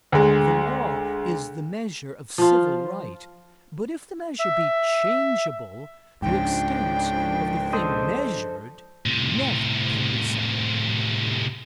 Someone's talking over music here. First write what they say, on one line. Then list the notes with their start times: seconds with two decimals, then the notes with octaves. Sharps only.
The law is the measure of civil right; but if the measure be changeable, the extent of the thing measured never can be settled.
0.12 D2 G#3
2.38 F3 F4
4.39 E5
6.22 C#2 G#2 C#3 F3 D4 G5
7.73 A4 C5 D#5
9.06 A2 C3